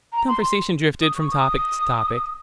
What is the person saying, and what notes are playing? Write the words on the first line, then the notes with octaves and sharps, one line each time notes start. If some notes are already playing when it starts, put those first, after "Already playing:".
The conversation drifted from topic to topic.
A#5
C6
D#6
C#6
D#6